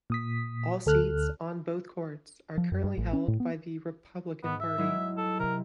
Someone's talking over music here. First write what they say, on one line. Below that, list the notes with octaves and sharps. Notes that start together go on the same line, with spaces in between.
All seats on both courts are currently held by the Republican Party.
A#2 D#6 B6
D2 A4 F6 F#6
F3
F#2
G2
A1
C#4
A2
B3
G#2 B3
E5
F#3 G#3 E4
A4
C3 A#4